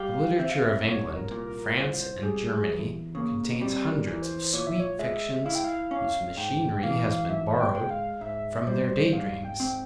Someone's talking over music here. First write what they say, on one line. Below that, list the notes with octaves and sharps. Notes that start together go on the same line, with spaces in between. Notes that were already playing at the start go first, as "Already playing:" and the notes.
The literature of England, France, and Germany contains hundreds of sweet fictions, whose machinery has been borrowed from their day-dreams.
Already playing: G3 G4 F5
C4 E5
F5
E5
C2 C#5
A#4
A#2
A#4
C2 C5
C5
G3 G#4
G#4
E2
C#3 A#3
G3 C4
A#4
E3
C5
A#2 C#5
E5
C#5
G#3 E5
E4 F5
G5
F5
C#4 F5
G#2 G5
E3 F5
G#2 E5
G5
G#3 G5
F5
G#2 E5
G3 C5
G#2 F5
G5
C4